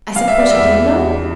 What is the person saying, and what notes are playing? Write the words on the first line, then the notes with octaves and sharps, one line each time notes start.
I suppose you did know?
G3 F5
E5
D5
E2 E5
E2